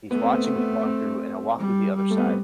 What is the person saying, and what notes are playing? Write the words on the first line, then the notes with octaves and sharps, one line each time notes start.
he's watching me walk through, and I walk through the other side,
A3 B3
C4
B3
C4
B3
C4
G3
G3
A3
B3
C4